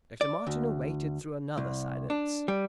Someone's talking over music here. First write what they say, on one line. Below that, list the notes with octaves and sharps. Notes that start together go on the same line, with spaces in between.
Dr. Martineau waited through another silence.
D5
D2
C2
D4
G3